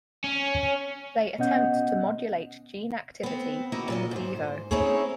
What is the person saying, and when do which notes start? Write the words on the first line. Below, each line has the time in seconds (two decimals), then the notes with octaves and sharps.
They attempt to modulate gene activity "in vivo".
0.24 C#4
1.38 B2 B3 C#4 D#5 F#5 G6
3.23 B3 C4
3.72 A#3 D#4 E4 F#4
3.88 A#2 F#4 D#5
4.11 G#2 C5
4.71 C4 C#4 D#4 E4 G#4 C#5